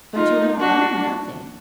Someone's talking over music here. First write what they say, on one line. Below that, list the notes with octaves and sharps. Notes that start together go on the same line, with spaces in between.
'But you have done nothing.'
D#4 F4
D4 F#4